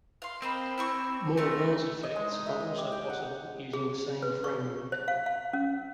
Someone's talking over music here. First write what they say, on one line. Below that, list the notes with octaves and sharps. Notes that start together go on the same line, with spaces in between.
More advanced effects are also possible using the same framework.
F5 C6
A#3 C4 D#5 B5
E4 D5 C#6
A3 C4 A#4
D#5
G#3
D#4
E5
D#5
G4
G5
F#5
G#4
B4
C#6
C5
F5
F5
C#4